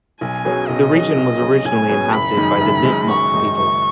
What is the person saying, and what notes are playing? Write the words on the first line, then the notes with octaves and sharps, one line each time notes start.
This region was originally inhabited by the Nipmuck people.
B1 G#5
B2 F#3 C#4 G#4
B1 D#5
B2 F#3 C#4 G#4
B1
B2 F#3 C#4 G#4
B1 G#5
B2 F#3 C#4 G#4
F#1 B5
F#2 D#3 G#3 D#4
F#1
F#2 D#3 G#3 D#4
F#1 C#6
F#2 D#3 G#3 D#4
F#1 C#6